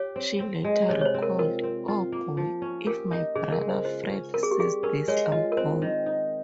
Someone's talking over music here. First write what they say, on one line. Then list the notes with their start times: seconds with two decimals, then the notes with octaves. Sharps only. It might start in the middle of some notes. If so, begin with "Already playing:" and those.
She later recalled: "Oh boy, if my brother Fred sees this-I'm gone".
Already playing: G4 C#5
0.16 C4
0.40 C4
0.65 G#3
0.89 C3 C#5
1.01 C#5
1.05 C5
1.14 C4
1.22 A#4
1.38 F4 A#4
1.63 C4
1.88 F4
2.12 A#3
2.37 F3
2.62 C#4
2.86 G4 A#4
3.11 D#4
3.35 C#3 G#4
3.52 A#4
3.60 G#3
3.69 C5
3.85 F4 C5
4.09 C#4
4.34 C4 A#4
4.43 G#4
4.51 G4
4.59 G3 G#4
4.83 C#4 A#4
5.08 G#3 C#5
5.32 F4 D#5
5.52 A#4
5.57 C4 C5
5.82 D#3
6.06 D#4